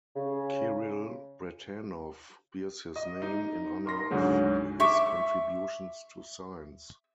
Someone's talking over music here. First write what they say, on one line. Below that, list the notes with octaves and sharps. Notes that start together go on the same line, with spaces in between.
Kiril Bratanov bears his name in honor of his contributions to science.
C#3
D#5
D#4
A#4 C6 A#6
D2 G#2 C#3 F#3 G#3
E5 C#6 D6